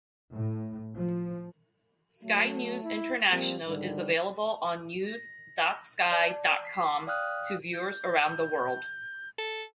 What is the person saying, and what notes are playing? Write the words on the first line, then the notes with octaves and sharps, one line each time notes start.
Sky News International is available on news.sky dot com to viewers around the world.
A2
F3
F#3 A3
E4
F3 G3 A#3 C4
G#2 D3 D#3 G3
A#6
D5 A5
B6 C7
D5 F5 G5 D#6 F6 F#6
G6
A4